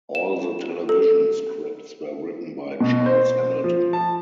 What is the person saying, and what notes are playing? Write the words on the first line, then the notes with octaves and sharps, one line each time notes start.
All the television scripts were written by Charles Hamilton.
E7
A4
B2
C5
F3
A5